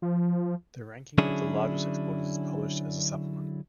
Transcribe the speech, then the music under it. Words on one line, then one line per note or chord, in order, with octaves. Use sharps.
The ranking of the largest exporters is published as a supplement.
F3
D3 F#3 C#4 D4 E4 G#4